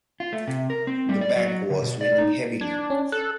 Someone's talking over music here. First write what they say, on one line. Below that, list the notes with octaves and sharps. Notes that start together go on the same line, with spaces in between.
The bank was winning heavily.
F4
A3
C3
A#4
C4
G3
D5
F#3
D3
B2
D5
D#4
D4 G#6
C#4
A4 F#6